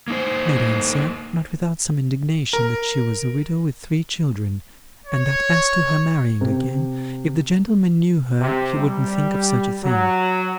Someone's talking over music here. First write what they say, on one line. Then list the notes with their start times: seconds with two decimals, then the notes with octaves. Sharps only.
Kit made answer, not without some indignation, that she was a widow with three children, and that as to her marrying again, if the gentleman knew her he wouldn't think of such a thing.
0.08 A#3 D#4 C5
2.53 A#4
5.06 C#5
6.41 C3
8.41 C3
8.79 G3
9.84 F#3